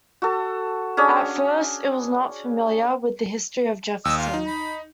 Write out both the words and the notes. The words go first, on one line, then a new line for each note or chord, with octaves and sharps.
At first, it was not familiar with the history of Jefferson.
F#4 A4
C#4 D4 G#4 C#5
D#2 D#5 E6
F4
D#4
B5